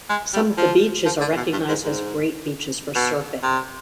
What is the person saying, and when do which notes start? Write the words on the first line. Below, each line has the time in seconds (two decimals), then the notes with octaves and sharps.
Some of the beaches are recognized as great beaches for surfing.
0.09 G#3
0.33 G3
0.57 F3
1.05 F3
1.21 D3
1.37 B2
1.52 G2
1.68 G#2
1.84 G#2
2.95 B2
3.43 C3